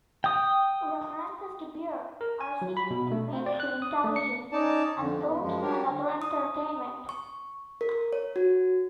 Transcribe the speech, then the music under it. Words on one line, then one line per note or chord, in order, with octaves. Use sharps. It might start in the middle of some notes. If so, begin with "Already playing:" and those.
References to beards are seen in mainstream television and films, and other entertainment.
G5 D#6
A#4
G#5
F#3
B5
B2
A3
C4
D5
F#6
D#6
A3
C#7
C#4 D#4 D5 A5
F2 D3
E2 B3
F#2 F3 G#3
F#3 G3 D4 G4 A#4 C#5
D3
D#6
C#6
A#4
C#5
F#4